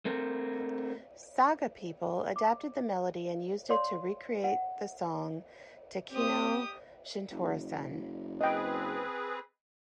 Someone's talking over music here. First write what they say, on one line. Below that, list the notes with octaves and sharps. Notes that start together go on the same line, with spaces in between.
Saga people adapted the melody and used it to recreate the song "Takeno Shintaro-san".
A3 C4 A#4
D6
C#5 D5 F5 C6
F#5
C4 G4 D#6
F#1
C4 G#4 B4 D#5 G5